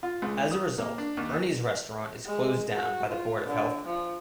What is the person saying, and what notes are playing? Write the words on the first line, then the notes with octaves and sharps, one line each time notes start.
As a result, Ernie's restaurant is closed down by the Board of Health.
F4
C#2
D#6
A#3
D4
D#2
G#3
F#4
F4
D3
F3